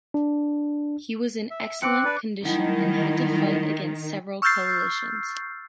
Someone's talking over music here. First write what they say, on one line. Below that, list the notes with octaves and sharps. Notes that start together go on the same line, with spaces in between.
He was in excellent condition and had to fight against several coalitions.
D4
E5
C4 D6 F#6 C#7
D4 B4 D5
D#3 F#3 G3 A3 E4
C#6 E6 F6 G6 A6 C7